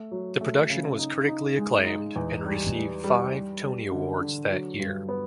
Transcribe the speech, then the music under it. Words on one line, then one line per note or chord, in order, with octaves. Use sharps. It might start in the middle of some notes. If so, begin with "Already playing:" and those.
The production was critically acclaimed and received five Tony Awards that year.
Already playing: A3
F#3
A3
C#3
D#4
D#4
G#3
D#4
E2
G3
G3
G3
G3
G3
D3
D3
F#3
G2
B3